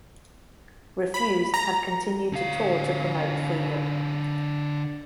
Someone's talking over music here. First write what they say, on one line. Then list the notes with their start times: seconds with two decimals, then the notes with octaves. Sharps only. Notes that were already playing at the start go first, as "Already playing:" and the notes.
Refused have continued to tour to promote "Freedom".
1.14 B5
1.54 A#5
2.33 D3 F5